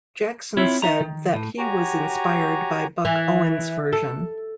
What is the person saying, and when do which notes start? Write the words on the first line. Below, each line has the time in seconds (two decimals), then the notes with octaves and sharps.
Jackson said that he was inspired by Buck Owens' version.
0.57 C4 E4 F4 C#5 E5
0.82 D#4 E5 A#5
1.00 D#3
1.34 A2
1.58 F#4 G4 C#5 G#5 A#5
3.05 E3
3.93 A4